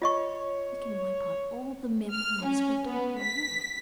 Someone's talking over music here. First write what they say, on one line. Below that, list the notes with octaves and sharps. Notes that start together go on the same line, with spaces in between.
We can wipe out all the memories we don't want.
F4 C#5 D#5 C#6
F6
C#4
B3
B6